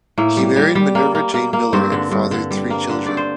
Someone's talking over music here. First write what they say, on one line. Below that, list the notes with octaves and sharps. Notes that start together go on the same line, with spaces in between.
He married Minerva Jane Miller and fathered three children.
A2 A#3
G3
G3
G3
A#3
A#3
A#3
A#3
G2 C4
D3
G2
D3
G3
A#3
D3
G2 D5
C5